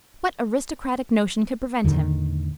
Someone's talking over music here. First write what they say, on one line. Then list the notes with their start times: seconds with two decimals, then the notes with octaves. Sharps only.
What aristocratic notion could prevent him?
1.84 E2 A2 D3 D#3